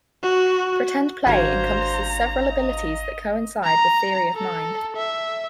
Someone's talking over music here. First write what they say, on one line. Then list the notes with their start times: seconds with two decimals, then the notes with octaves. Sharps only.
Pretend play encompasses several abilities that coincide with theory of mind.
0.23 F#4
1.26 G#1 D4 F#4 C5 F5 A#5 G#6
2.50 D#5
3.65 A#5
4.35 A4
4.96 E5